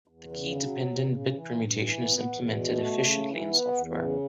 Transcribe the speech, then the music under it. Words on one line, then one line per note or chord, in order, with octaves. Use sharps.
The key-dependent bit permutation is implemented efficiently in software.
E2
C#3
F#3
E2
C#3
E3
G2
E3
B3
E2
B2
A3
C#3
E3
B3
E2
C#3